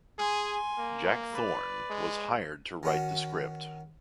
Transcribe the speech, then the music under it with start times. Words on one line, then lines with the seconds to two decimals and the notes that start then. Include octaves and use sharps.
Jack Thorne was hired to write the script.
0.19 G#4 G#5 C6
0.78 A#3
1.33 B4 D5
1.90 G#3
2.83 D#3 C#4 F#4